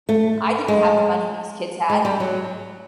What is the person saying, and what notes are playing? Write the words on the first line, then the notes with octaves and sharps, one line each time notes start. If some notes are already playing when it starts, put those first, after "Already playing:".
I didn't have the money these kids had.
A3
G#3
G#3
G3
F#3